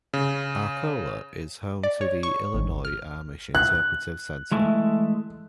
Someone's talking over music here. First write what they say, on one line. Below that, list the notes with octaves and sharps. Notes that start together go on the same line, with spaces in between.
Arcola is home to the Illinois Amish Interpretive Center.
C#3
D5
C#5
C#6
G#1
F6
F#6
E3 G#3 A3